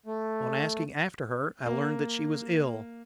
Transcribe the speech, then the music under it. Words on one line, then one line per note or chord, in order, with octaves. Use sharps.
On asking after her I learned that she was ill.
A3
A#3